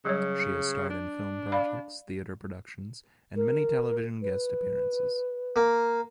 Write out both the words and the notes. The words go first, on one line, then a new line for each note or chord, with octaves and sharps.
She has starred in film projects, theatre productions and many television guest appearances.
C#3 F#3 G3 C#5
D4
D5 F5 B5
A#4
B4
A#3